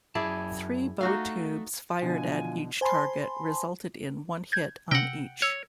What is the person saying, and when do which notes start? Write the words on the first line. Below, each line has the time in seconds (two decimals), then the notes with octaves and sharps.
Three bow tubes fired at each target resulted in one hit on each.
0.15 F#2 E4 G#4 D5 A5
1.01 A3 D#4 F#4 F5
2.02 B2 D3 E3 F3 F4 G#5
2.81 C5 G#5 A5 B5 C6
4.52 G6 G#6
4.91 C3 F#5 G5 E6 A#6
5.42 C#5 E6